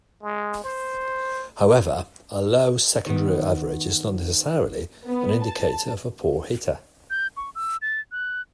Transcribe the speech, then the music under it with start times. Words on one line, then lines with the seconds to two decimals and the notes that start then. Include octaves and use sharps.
However, a low secondary average is not necessarily an indicator of a poor hitter.
0.23 G#3
0.64 C5
3.06 D#3 B3
5.07 B3
5.44 A5
7.10 G6
7.37 C#6
7.55 E6
7.82 A6
8.12 F#6